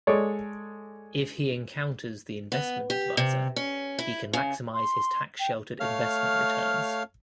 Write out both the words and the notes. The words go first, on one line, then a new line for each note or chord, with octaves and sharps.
If he encounters the investment advisor, he can maximize his tax-sheltered investment returns.
G#3 A4 C#5 D5
B3
G4
C3
C#4
E4
C#3
C6
G5
A3 C#5 F5 F6